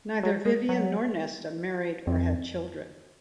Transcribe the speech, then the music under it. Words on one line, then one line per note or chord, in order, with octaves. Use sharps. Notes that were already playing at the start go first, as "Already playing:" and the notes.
Neither Vivien nor Nesta married or had children.
F#3
G#3
F#3
F2